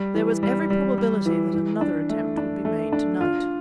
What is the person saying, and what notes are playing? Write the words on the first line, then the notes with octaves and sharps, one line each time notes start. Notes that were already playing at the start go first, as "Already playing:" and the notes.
There was every probability that another attempt would be made to-night.
Already playing: G3
E3
G3
G3
G3
E3
E3
D4
A3
D4
A3
D4
F4